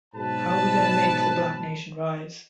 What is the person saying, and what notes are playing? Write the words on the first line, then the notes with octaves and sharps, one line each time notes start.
How We Gonna Make the Black Nation Rise?
G#2 B2 F#3 B4 A5